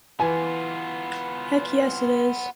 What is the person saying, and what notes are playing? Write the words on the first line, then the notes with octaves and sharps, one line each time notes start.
Heck yes it is.
E3 B3 F4 G#5